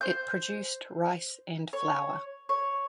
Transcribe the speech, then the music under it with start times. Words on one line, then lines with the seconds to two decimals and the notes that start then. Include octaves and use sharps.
It produced rice and flour.
0.01 C5 G6
1.73 C#5
2.49 C#5